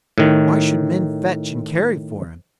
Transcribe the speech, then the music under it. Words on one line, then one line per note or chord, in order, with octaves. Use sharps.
Why should men fetch and carry for him?
A2 D#3